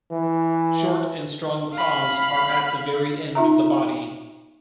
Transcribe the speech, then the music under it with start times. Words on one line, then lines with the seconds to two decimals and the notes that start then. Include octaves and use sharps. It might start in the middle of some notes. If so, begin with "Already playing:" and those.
Short and strong paws are at the very end of the body.
0.11 E3
1.73 F5 B5
3.35 D#4 F4 E5 A#5